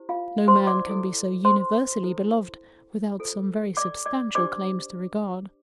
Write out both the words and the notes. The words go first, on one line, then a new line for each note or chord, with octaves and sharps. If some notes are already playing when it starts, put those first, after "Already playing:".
No man can be so universally beloved without some very substantial claims to regard.
Already playing: E4 G4 C5
F4 F5
C5 C6
D5 D6
E4 A4 C5
C5 C6
E4 A4 C5
F4 A4 C5
D5 D6
D5 D6
D4 G4 C5 D5 D6